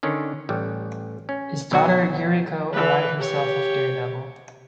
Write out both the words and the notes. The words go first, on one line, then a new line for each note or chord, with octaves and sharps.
His daughter Yuriko allied herself with Daredevil.
D3 D#3 C#4 D4
A1 G3
C#4
B1 F#3 B3 F#4
E3 B4
G4 C#5